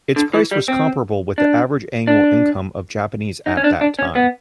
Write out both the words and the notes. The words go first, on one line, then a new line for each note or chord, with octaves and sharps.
Its price was comparable with the average annual income of Japanese at that time.
D3
E3
G3
C4
D4
D4
D#4
C#4
D4
D4
C#4
B3